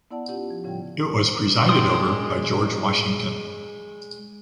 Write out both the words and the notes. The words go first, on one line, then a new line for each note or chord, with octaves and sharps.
It was presided over by George Washington.
B3 E4 D5 F#5 A5
C#4 E4 F4 G4 D5
F3
A2 C#3 F3 G3 F4 G5
G#3 D5 G5 C6 D#6